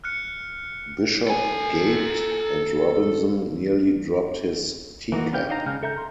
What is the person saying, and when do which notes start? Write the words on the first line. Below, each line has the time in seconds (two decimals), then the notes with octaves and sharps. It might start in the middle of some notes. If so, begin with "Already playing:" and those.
Bishop gaped, and Robinson nearly dropped his teacup.
0.04 F6 F#6 C#7
1.27 A4 G#5
5.12 E3 A#3 D#4 F#4
5.33 B3 C#4 G4 F5 G5
5.49 D4 D#4 F5 G5 A#5
5.66 C#3 G#3 F6 G6
5.83 A4 E5 A#5 G6
5.96 A#5 C6